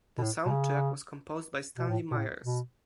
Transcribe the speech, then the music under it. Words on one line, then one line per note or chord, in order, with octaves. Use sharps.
The soundtrack was composed by Stanley Myers.
B2
A2
B2
C#3
B2
A2
B2
A2
B2